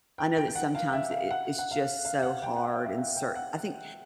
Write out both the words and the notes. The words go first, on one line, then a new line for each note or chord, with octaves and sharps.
I know that sometimes it it it's just so hard and cert I think
G5
G5
G5
F#5
F5
E5
F5
F#5
F#5
F5
F5
F#5
G5
F#5
F5
E5
F5
G5
F#5